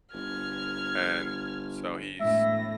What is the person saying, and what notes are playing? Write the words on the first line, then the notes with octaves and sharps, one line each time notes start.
And so he's,
G1 F6 G#6
E1 A2 E5 A#6